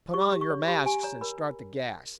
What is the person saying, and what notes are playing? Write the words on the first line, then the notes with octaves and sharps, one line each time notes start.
Put on your masks and start the gas!
G4 C#6
G4
C#6
C#5
G4 B5
G4 G#5
C#5 A#5
A#4 B5